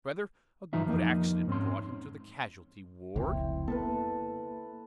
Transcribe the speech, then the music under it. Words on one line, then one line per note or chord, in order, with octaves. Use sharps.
Rather a good accident brought into the casualty ward.'
G2 E3 D#4 F4 E5
F2 A#3 D#4
G#2 C4 C#4 C6
F1 C#2 C4 E4
A#3 B3 A4 B4